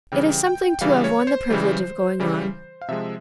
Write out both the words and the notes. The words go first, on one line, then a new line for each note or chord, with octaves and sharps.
It is something to have won the privilege of going on.
C#3 E3 G3 G5
G5
C#3 E3 G3 F5
C#5
C5
C#3 E3 G3
C#3 E3 G3
F5
C3 F3 G#3 E5